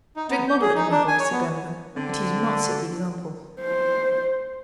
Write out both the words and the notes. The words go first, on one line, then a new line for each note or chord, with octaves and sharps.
"Drink moderately, my boy," said Glenarvan; but he did not set the example.
D#4
B3
G6
G#4
D#4
D4
G#5
C#5
B3
D3 C4
C5